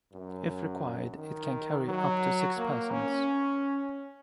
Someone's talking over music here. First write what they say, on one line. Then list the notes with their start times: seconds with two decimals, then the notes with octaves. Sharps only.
If required, it can carry up to six persons.
0.13 F#2
1.17 D#3
1.87 F#3
2.57 A#3
2.91 C#4